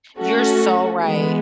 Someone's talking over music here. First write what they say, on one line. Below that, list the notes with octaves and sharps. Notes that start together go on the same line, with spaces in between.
you're so right.
A3 C#4 F#4 A4
E3 G#3 B3